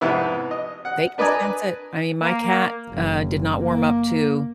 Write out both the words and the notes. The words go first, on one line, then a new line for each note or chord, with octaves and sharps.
they can sense it. I mean my cat, uh, did not warm up to
F2 G#2 C3 B3 E4 E5
D#5
F#5
D4 B4 D5 D#5 G#5 A#5
A#3
F#1
A#3